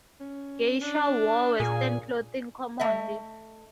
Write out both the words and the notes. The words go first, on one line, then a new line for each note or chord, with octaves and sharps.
Geisha wore Western clothing commonly.
C#4
D4
A#2 G#4 G#5
A3 D#5 E5